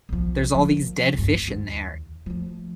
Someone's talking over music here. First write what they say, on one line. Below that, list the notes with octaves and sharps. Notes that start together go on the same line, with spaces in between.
There's all these dead fish in there.
B1 F3
D#3 F3
B1 G2
D#2
F3 A3